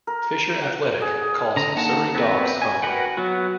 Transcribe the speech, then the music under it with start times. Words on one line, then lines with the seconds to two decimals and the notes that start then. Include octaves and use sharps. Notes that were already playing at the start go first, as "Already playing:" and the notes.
Fisher Athletic calls Surrey Docks home.
0.07 A#4
0.61 F#5
1.02 G#4
1.56 D3 A#5
1.76 D#3 A#3 F#5 A5 A#5
2.15 B3 C4 A#4 B4
2.62 G#5
2.82 F#4 A#4 B4 F#5 G5
3.17 F#3 B3 F#4